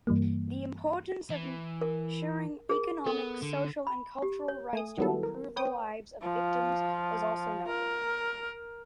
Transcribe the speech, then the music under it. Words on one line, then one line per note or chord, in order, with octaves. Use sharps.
The importance of ensuring economic, social and cultural rights to improve the lives of victims was also noted.
G2 E3 G3 A#3
E3
A#4
G#4 A#4
B3 A4
D3
B5
G4
C#5
A3 G#5 D#6
D#3 F#3 G3 B3 E4 A4
A#4
B4 C#5 G5 D#6
F3 F4
A#4